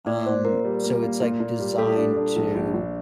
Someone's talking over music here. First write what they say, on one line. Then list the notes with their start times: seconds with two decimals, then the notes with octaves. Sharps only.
um, so it's, like, designed to,
0.06 A#2 D5
0.26 A#3 C5
0.45 A#2 A#4
0.64 G3
0.84 A#3
1.02 A#3
1.21 A#2
1.40 A#2
1.60 G3
1.78 G4 A4
1.97 D4
2.17 D4
2.36 A#1
2.55 A#1
2.74 A#1